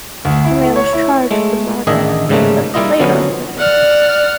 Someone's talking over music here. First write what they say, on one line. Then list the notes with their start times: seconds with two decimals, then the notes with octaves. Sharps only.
A man was charged with the murder but later acquitted.
0.25 D2
0.45 E4
0.63 A3
0.76 C#5
0.93 E4
1.31 G#3 A3
1.87 A1 D#3 D4 G#4 D#5 E5
2.29 G#2 C#3 G3 A3 A#3
2.74 G3 A#3 E4 F4 D#5
3.00 D3 F3 F#3 B3 C#4
3.59 D5 F#5 F6